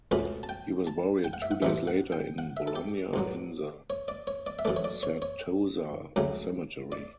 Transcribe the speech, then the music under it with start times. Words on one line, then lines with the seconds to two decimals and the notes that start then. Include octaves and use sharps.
He was buried two days later in Bologna in the Certosa cemetery.
0.11 C#2 B2 A3 C#4 B5
0.43 A5
0.49 G5
0.87 A5
1.24 G5
1.33 F#5
1.42 E5
1.51 F#5
1.62 A1 G2 E3 E5
1.87 F#5
2.12 G5
2.38 F#5
2.57 E5
2.67 A4
2.75 G4
3.14 A1 G2 F#3
3.90 C#5
4.08 D5
4.27 C#5
4.46 D5
4.59 E5
4.65 F#2 E3 A3 D5
4.76 C#5
4.84 D5
5.03 C#5
5.22 C#5
6.16 D2 C#3 F#3 A3
6.92 D5